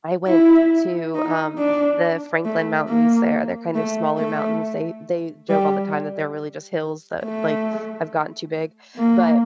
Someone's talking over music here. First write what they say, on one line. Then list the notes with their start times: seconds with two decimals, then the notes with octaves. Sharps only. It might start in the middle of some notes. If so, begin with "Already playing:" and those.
I went t to, um, the Franklin Mountains there, they're, kind of, smaller mountains, they they joke all the time that they're really just hills that, like, have gotten too big, but,
0.28 E4
1.15 D#4
1.58 D4
2.45 A3
2.89 A#3
3.75 A3
4.18 A3
5.50 G3
7.24 A3
8.98 A#3